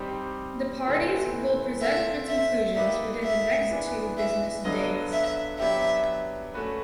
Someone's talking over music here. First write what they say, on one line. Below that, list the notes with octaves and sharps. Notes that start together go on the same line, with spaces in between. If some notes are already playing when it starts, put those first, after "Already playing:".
The parties will present their conclusions within the next two business days.
Already playing: G3 C4 D#4 G4 C5
C3 E3 A3 C4 E4
C4 F4 A4 E5
E5
A#3 D#4 G4 B4 D5 E5
E5
E3 G#3 B3 D4
E5
D3 F#3 B3 D4 F4 D#5
E5
F#3 B3 D4 G4 E5
A3 C#4 F#4 B4